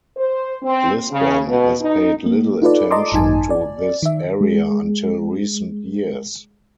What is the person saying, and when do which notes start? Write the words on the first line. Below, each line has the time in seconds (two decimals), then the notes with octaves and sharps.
Lisbon has paid little attention to this area until recent years.
0.16 C5
0.62 C4
1.10 C#3
1.47 B2
1.80 D#4
2.26 A#3
2.62 D#4 F4 A4 B4 D5
2.91 D#5 A5 A#5 C6 D6
3.12 G#1 F#2 D#4 G#5 A5
3.50 D5
4.03 D#3 E5
4.41 G#3 G#4